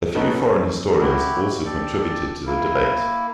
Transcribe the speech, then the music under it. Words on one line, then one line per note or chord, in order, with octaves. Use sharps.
A few foreign historians also contributed to the debate.
C#4 D#4 F#4 A4 B4
E4 F#4 G4
G4 A4 D5
A#3 E4